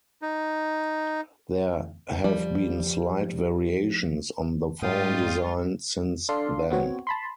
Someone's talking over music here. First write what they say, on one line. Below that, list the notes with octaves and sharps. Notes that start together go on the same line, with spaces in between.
There have been slight variations on the font design since then.
D#4
F3 G3
G#2 G3 F4 F5 G5 D#6
D4 A4 D5 F5 C6
B3 C4 F#4 C#5
A5 B5 C6